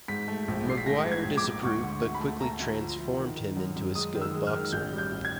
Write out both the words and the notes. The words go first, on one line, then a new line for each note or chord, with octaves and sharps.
Maguire disapproved, but quickly transformed him into a skilled boxer.
G#2 B6
A3
A#1
G#2 C7
B6
A3 A#6
G#2
G#6
A#1
D6
G#2
D2 C#6
D3
D2
B5
A3
A3 A#5
D2
F3
F3
D#3
D#3
F#2
F#2
G#3 D#6
D#3
E6
G#3
F6
D#3
A1 G6
G3
G6
A1
G#6